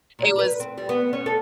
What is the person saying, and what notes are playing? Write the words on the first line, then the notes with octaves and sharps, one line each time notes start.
it was
A#2
B4
C4
G3
B3
C#4
A4